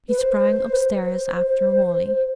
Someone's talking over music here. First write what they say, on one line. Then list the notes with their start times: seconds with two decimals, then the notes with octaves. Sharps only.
He sprang upstairs after Wally.
0.09 B4
0.18 C5
0.73 B4
0.78 C5